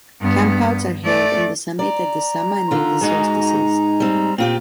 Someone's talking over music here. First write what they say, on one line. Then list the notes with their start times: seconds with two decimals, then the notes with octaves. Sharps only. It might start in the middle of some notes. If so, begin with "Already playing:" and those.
Campouts are held on the summit at the summer and winter solstices.
0.21 G2 B3
1.05 A3 D5
1.79 D5 A#5
2.71 D3 F4
3.01 G#2 G#3 D#4 F#4
4.00 G3 C4
4.38 A#2 C4 F4 G4 G5